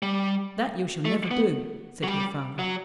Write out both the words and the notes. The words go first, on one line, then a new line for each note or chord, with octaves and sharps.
"That you shall never do!" said her father.
G3
A3
B3
F#3
G3
F#3